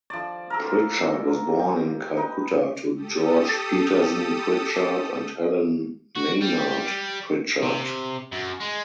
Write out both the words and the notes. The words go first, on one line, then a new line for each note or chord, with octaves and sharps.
Pritchard was born in Calcutta to George Petersen Pritchard and Helen Maynard Pritchard.
F3 D5
A4 A#4
A#4
G4
D#4 B4
G4 A4 D#6
F#4
G3
C3
F#2
G#3